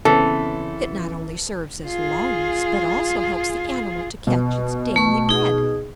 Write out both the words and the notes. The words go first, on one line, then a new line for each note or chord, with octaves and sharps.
It not only serves as lungs, but also helps the animal to catch its "daily bread"!
C#3 E3 B3 C4 A4
F4 G#4
B2
A3 C#6
D#4 G#4